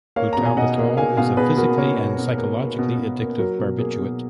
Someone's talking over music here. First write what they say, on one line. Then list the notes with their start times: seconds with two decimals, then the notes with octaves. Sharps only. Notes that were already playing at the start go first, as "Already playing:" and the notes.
Butalbital is a physically and psychologically addictive barbiturate.
0.16 A#3 C#5 F5
0.33 B2 A#5
0.45 G#5
0.57 B2 D#5 F#5
0.78 A#3
0.97 A#3 F5 G#5
1.17 B2 F5 G#5
1.37 B2 G#4 B4
1.57 A#3 F#4 A#4
1.78 A#3 A#4 C#5
1.98 B2
2.18 B2
2.37 A#3
2.58 A#3
2.79 B2
2.98 B2
3.19 A#3
3.39 F#3 F#4 A#4
3.59 B2
3.78 A#3 G#4
3.99 B2